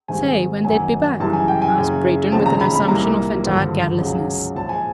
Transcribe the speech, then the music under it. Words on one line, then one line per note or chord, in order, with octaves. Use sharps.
"Say when they'd be back?" asked Breton, with an assumption of entire carelessness.
G#1 G#2 D#3 G3 C4 G#5
F#2 D#3 F#3 A#3 G#5
F#2 C#3 E3 G3 A5
G#5
G5
G#5
F#1 F#2 C#3
F1 D#2 C#3 F3 A5
A#5
B5
B5
C2 A#2 G3 A#3 A#5
G#1 G2 D3 F3
C#2 C#3 F#3
A#1 G#2 F3 A5
G#5